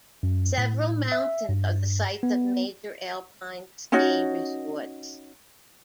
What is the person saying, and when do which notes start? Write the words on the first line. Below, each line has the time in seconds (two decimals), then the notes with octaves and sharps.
Several mountains are the sites of major alpine ski resorts.
0.23 F#2
0.58 A2
1.12 E5
1.49 G2
2.23 B3
3.92 C#4 D#4 F#4